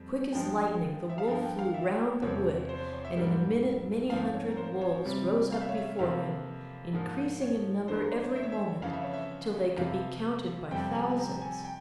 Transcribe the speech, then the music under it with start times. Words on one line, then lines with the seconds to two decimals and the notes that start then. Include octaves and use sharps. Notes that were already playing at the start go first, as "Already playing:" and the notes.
Quick as lightning the wolf flew round the wood, and in a minute many hundred wolves rose up before him, increasing in number every moment, till they could be counted by thousands.
Already playing: F2 G3 C4
0.33 G2 F3 G#3 G5
1.09 E5
1.18 F5
1.27 G2 F3 A#3 G5
1.44 G5
1.59 F5
1.74 E5
2.22 E2 C3 F3 C4 C#5
2.69 C5
2.80 C5
2.93 C#5
3.05 E5
3.16 G#2 G3 A#3
4.10 G#2 F3 C4 F5
4.34 C#5
4.49 A#4
4.57 C5
4.81 C#5
5.05 C3 G3 C4
5.52 F5
5.61 E5
5.69 C#5
5.77 E5
5.99 F2 C3 E3 A#3 F5
6.93 G#2 F3 A#3
7.41 C#5
7.88 G2 E3 A#3 C5
7.99 A#4
8.11 C5
8.24 C#5
8.36 E5
8.43 C#5
8.52 E5
8.82 F2 C#3 E3 F5
8.93 E5
9.03 C#5
9.13 E5
9.77 F2 C3 E3 F5
10.71 F2 C3 G3 C4 G5
10.95 G#5
11.18 A#5
11.42 G#5
11.65 G5